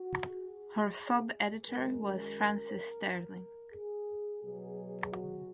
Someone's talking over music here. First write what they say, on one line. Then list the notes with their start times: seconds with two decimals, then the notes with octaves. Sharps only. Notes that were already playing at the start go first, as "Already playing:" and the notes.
Her subeditor was Frances Sterling.
Already playing: F#4
0.27 G#4
1.65 F#2 D#3 G#3 A#4
3.73 G#4
4.42 B2 F#3 G#4
5.12 F#4